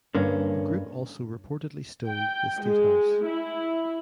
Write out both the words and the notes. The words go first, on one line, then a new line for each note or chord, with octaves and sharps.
The group also reportedly stoned the State House.
G2 D3 A#3 C#4
G5
G#3
E4